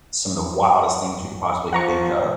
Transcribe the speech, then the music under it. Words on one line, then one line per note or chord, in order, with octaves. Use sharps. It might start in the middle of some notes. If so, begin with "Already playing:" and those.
some of the wildest things you could possibly think of,
F3 F#5 A#5 C#6